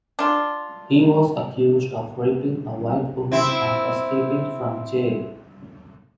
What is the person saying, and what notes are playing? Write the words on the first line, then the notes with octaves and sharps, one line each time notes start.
He was accused of raping a white woman and escaping from jail.
D4 F4
C4 E4